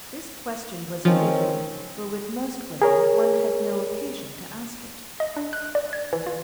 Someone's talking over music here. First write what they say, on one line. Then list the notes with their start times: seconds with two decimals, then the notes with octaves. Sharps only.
This question was irregular, for with most women one had no occasion to ask it.
1.05 D#3 F3 C4 C#4
2.82 G#4 A#4 C#5
5.20 D#5
5.37 D4
5.53 F#6
5.75 D5
5.93 G#6
6.13 E3
6.27 F4